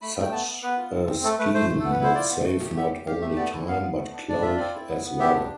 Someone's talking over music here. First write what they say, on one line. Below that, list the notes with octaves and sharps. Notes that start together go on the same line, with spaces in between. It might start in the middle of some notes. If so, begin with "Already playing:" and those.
Such a scheme would save not only time but cloth as well.
A3 B5
A3 G5
B3 A5
B3
B3 B4
F4
C4
C4
A3 A4
A3 B4
A3 C5
A3
A4
B3
B4
E4 C5
F4 D5
B3
A3
G4
B3 E5
G4
G4 F5
A3 E5
B3 D5
E4
B3 F5
B3
A3
D4
D4 D5
F4 E5
C4 D5
E4
B3
B3
G4 E5
D4